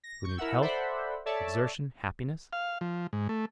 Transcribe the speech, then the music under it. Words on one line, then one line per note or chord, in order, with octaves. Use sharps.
Renewed health, exertion, happiness!
A#6
C#6 G6
E4 A#4 E5 F#5 E6
A4 C5 D5 E5 F#5 B5
A4 C#5 D5 E5 A5
F5
F3
G#2
A3